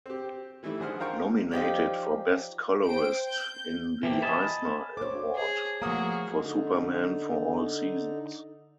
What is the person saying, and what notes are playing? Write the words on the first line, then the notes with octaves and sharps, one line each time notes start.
Nominated for Best Colorist in the Eisner Award, for "Superman For All Seasons".
C4 G4
D#3 E3 G3 A3 E4
A#1 D4 G#4 C5 F#5 F6
F4 A#4 C5 G5 C#6
F3 D#4 G4 D5
C5 G5 D7
G6
E3 F3 A#3 G4
D#5 G#5 A5 B5
C5 C#5 D6
G#4
F3 A3 A#3 F#4 G#4 D#6
D3 D#4